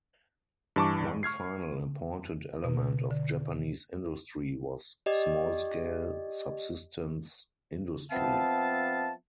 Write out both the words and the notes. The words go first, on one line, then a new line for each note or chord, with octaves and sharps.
One final important element of Japanese industry was small-scale, subsistence industry.
G2 E3 A5 C#6 D6
C#6 F6 G#6 C7
B2
D3
G4 D5 D#5
F3 B3 C4 E5 F5 A5